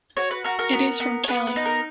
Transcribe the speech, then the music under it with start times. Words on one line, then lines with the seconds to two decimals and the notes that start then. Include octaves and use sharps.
It is from Cali.
0.17 F#4 C#5
0.31 B4
0.44 F#4 A#4
0.59 A#4
0.73 B3
1.00 B3
1.24 C#5
1.28 B3 B4
1.47 B4
1.56 D#4
1.65 A#4